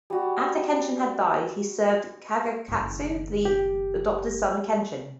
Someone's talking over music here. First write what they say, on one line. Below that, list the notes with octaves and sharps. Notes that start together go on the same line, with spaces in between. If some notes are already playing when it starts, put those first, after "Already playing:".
After Kenshin had died, he served Kagekatsu, the adopted son of Kenshin.
G3 F#4
F#1 D#3
G4